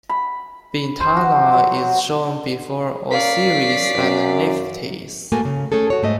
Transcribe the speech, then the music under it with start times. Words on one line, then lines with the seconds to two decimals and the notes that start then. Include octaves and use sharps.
Bintanath is shown before Osiris and Nephtys.
0.09 B5
1.00 C5
1.17 F#4
1.53 F#3
3.11 C#4 A#4 D5 F5 B6 C7
3.95 F#2
5.32 G#2 A3 A#3 F#4 G#5
5.45 C#3
5.72 A3 C#4 G#4 A4
5.90 F#4 C#5
6.03 G#2 A3 D#5